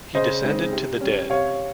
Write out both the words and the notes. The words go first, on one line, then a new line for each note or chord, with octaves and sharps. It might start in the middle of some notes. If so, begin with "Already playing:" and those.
He descended to the dead.
C#3 C5 D#5
G#3 C4 D#4
C3
G3 C#4
C3 C#5 F5